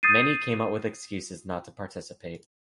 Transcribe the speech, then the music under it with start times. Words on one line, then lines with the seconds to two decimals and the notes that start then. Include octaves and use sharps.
Many came up with excuses not to participate.
0.03 D#6 G6 A6 C7 D#7